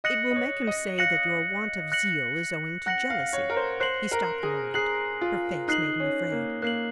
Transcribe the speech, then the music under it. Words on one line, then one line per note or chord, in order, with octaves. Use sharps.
"It will make him say that your want of zeal is owing to jealousy." He stopped a moment; her face made him afraid.
D#5 F#6 A#6 C#7 F#7
D#5
C#5
D#5
F5 F#6 A#6 C#7 F#7
F#6 A#6 C#7 F#7
F#5 F#6 A#6 C#7 F#7
F5
C#5
A#4
C5
C5 F#6 C7 F#7
A#4
G#4
G#4 F#6 C7 F#7
F4
D#4 F#6 C7 F#7
C#4
A#3
A#3 F#6 C7 F#7